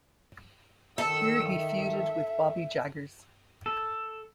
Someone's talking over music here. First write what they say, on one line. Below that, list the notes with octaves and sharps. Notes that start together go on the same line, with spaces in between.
Here he feuded with Bobby Jaggers.
D#3 A4 E6
E5
A4